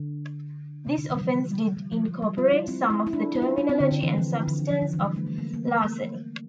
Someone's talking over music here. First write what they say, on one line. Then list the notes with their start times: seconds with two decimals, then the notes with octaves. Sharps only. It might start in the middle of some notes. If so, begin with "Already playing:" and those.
This offence did incorporate some of the terminology and substance of larceny.
Already playing: D3
0.87 C3
0.98 D3
1.09 E3
1.15 G3
1.21 F3
1.77 G3
1.92 F3
2.08 F3
2.22 G3
2.38 F4
2.52 E4
2.68 C4
2.90 E4
3.07 E4
3.13 D4
3.35 E4
3.42 F4
3.58 D4
3.69 C4
3.80 D3
3.92 D3
4.03 E3
4.18 F3
4.48 D3
4.59 E3
4.70 F3
4.82 D3
4.93 E3
4.99 F3
5.04 G3
5.16 A3
5.27 A3
5.38 A#3
5.54 A#3
5.68 A3
5.84 A#3